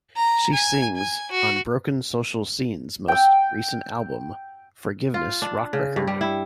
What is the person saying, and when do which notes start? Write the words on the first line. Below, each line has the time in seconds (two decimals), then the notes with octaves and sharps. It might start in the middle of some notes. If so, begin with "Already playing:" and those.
She sings on Broken Social Scene's most recent album "Forgiveness Rock Record".
0.17 A#5
0.53 G#5
0.96 G#5
1.32 F#4
3.08 G5 E6
5.14 F4
5.42 D4
5.73 C#3
5.96 G2
6.07 G3
6.21 E4